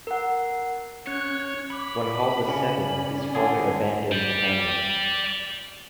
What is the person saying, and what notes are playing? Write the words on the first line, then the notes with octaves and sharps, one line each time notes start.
When Hall was seven, his father abandoned the family.
A#4 F#5
C#4 C#5 F#6 G#6
B5 D6
C#3 C#4 D5 G#5
D3 G#4
D5 G5